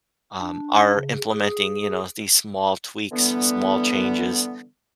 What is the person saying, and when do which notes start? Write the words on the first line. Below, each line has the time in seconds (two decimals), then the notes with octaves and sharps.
um, are implementing, you know, these small tweaks, small changes,
0.40 D4
0.95 C#3
1.32 G#4
3.11 D3 E3 G3 B3